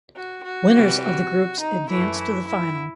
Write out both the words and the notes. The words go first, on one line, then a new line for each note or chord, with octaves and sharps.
Winners of the groups advanced to the final.
F#4
F#4
C3 E3 G3
F#4
D#4
F#2 E3 A3 E4
E4
E4